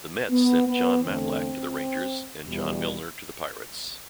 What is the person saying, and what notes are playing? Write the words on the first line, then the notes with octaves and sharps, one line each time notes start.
The Mets sent Jon Matlack to the Rangers and John Milner to the Pirates.
B3
B3
E2 D3 A3 C4
E2 B2 G3